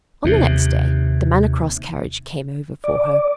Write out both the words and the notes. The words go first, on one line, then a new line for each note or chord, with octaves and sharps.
On the next day the Manor Cross carriage came over for her.
D#2 C3
D5